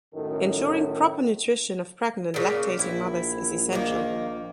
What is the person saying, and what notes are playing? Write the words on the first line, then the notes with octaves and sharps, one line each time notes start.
Ensuring proper nutrition of pregnant and lactating mothers is essential.
F#2 A2 D#3 A4
A#2 C#3
A#1 E4
D#3 A#3